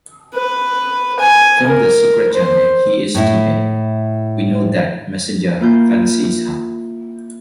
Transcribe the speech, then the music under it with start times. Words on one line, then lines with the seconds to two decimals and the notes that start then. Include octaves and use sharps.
From the secret journal he is keeping, we know that Messenger fancies her.
0.34 B4
1.20 G#5
1.67 A#4
2.33 C5
3.15 A2 E4
5.60 A#3 E4 F4 G6